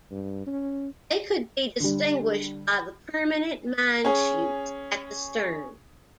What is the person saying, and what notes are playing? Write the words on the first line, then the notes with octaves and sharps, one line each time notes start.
They could be distinguished by the permanent mine chutes at the stern.
G2
C#4
D3 G3
C#4 G#4